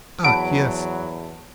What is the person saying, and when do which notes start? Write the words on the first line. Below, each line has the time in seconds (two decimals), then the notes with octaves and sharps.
Ah, yes!
0.24 E2 F#3 F#5 A5 B5 D7